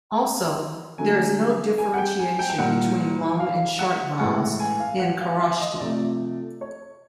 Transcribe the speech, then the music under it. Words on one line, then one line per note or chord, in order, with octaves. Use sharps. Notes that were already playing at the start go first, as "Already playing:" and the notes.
Also, there is no differentiation between long and short vowels in Kharosthi.
D3 F#3 A3 G#5
G#5
F#5
G5
G#5
G5
G5
A#2 G3 F#5
F5
F#5
A2 E3 G#3 F#5
G#5
F5
F#5
F5
E5
D#5
C3 F3 A3 D5
C#5